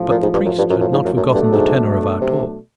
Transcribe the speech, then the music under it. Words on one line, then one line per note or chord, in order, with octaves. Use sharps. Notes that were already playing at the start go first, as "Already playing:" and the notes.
But the priest had not forgotten the tenor of our talk.
Already playing: A1 A2 F3
A#2
G#2
G2
F#2
G2
F#2
F#2
G#2
F#2
F#2 B2 F#3 A3 D4
G2
G#2
C3